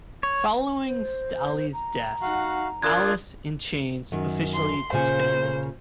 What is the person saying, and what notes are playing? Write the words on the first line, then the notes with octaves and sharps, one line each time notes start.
Following Staley's death, Alice in Chains officially disbanded.
C#5
C5
A#5
D#4 F#4 F5 F#5
D4 F4 A#4 D#6 F#6 G#6
F#2 D#3
C6
A#2 C#3 C5 G#5